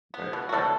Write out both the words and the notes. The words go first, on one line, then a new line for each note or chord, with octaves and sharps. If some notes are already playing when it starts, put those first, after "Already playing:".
Right, bye.
B3
B2
F#4
B2 A4